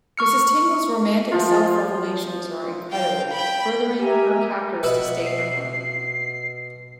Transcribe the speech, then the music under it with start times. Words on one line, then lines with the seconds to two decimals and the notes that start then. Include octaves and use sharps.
Mrs. Tingle's romantic self-revelations are incredible, furthering her captors' disdain of her.
0.18 C#6 F6 C#7
1.32 F3 F4
2.91 F5 G5
3.32 G5 B5
3.99 G4 A#4 E5 G#5 A#5
4.83 B2 B4 E5
5.26 C7